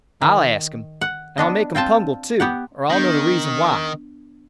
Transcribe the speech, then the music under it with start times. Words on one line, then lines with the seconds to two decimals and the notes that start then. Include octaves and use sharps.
I'll ask him; and I'll make him pungle, too, or I'll know the reason why.
0.22 D#3
1.01 F#5
1.38 B3 D4 D#5
1.75 C4 F4 G5 A5
2.40 B3 G4 F#5
2.90 D#3 B3 D4 G6